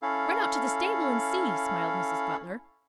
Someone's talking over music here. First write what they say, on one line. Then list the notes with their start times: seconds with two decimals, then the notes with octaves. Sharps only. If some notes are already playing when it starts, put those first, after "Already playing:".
"Run out to the stable and see," smiled Mrs. Butler.
0.02 C#4 E4 A4 F5